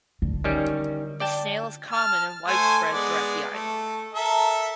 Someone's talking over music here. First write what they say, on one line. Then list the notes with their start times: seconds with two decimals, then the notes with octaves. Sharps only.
The snail is common and widespread throughout the island.
0.22 D3
0.44 D#3 G3 C#4
1.20 D5 G5 A5
1.91 A5 F6
2.47 A3 C5 G#5
2.91 G#3 B3 D5
3.52 A3
4.13 A4 A#4 E5